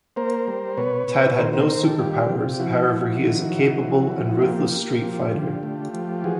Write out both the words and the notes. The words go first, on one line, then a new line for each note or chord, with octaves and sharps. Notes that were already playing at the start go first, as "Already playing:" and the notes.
Tad has no superpowers, however he is a capable and ruthless street fighter.
A#3 A#4 C5
G3
B2 B4 C#5
B2
D#3 A#4 C5
A#4 C5
D#3 A#4 C5
G4 A4
G3 F4 G4
C3
F3 E4 F#4
F3
D#3
F#3
F3
F3
A#3 F4 G4
A#3
F3
D3
A3
F3
E3 F#4 G#4